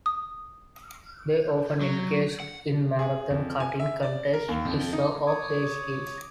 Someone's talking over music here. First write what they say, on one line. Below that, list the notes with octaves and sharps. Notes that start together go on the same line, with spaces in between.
They often engaged in marathon cutting contests to show off their skills.
D#6
F#3
F#5
G#4
F2
G#5
E5
D5
A#4
D#2
F2
D#4
C#5 D6 D#6